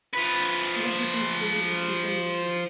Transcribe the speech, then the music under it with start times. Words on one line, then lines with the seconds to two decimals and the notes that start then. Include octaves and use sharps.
Celebrities began to frequent the city.
0.13 F3 B4